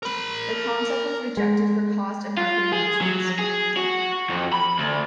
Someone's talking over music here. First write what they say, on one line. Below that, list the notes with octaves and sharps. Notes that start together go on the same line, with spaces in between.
The concept was rejected for cost and marketing reasons.
A#4 B5
G#3
F4
G#4
F#3
G#4
F#4
F2
B5
D2